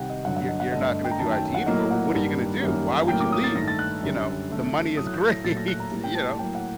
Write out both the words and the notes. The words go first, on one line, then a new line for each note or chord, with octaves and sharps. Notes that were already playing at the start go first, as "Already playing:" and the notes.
"You're you're not gonna do IT anymore, well, what are you gonna do? Why would you leave?" You know, the money is great, you know,
Already playing: C3 D#3 G3 F#5 G5
D#5
G2 D3 F#3 F#5
F#5
D#5
F#5
G2 D3 A3 D#5
D#5
G5
A#5
F#2 D#3 F#3 A3 A5
G5
F#5
A2 F#3 A#3 D#5
F#5
G2 D#3 G3 A#3
F#2 D#3 G3 A#3
A2 F#3 A#3 G5
D6
D#6
A6
G2 D#3 A3 A#6
A6
F#6
F#2 D3 G3
F#2 D3 A3
A2 F#3 A3 D#6
F#6
G6
A#6
A#2 F#3 A3 A6
A#6
F#6
A#5
A2 G3 A#3
G5
A5
A5
A2 F#3 A#3 G5
F#5